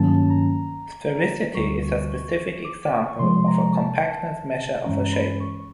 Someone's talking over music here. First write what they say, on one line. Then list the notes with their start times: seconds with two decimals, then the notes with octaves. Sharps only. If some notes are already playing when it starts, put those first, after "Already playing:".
Sphericity is a specific example of a compactness measure of a shape.
Already playing: G2 D#3 F#3 A#3 C#4 A5
0.30 A#5
1.55 D2 D3 G3 C#6
1.82 C#6
2.09 C#6
2.37 C#6
2.64 D6
2.83 D6
2.92 C#6
3.19 C3 F3 G#3 C6
3.47 A#5
3.75 A5
4.84 G2 E3 G#3 C#4 A#5
5.13 B5
5.40 C#6